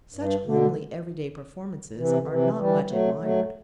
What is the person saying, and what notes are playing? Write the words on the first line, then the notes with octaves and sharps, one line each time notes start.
Such homely, everyday performances are not much admired.
G2
B2 D3
C3 E3
D3
C3 E3
E3 G3
F#3 A3
F#3 A3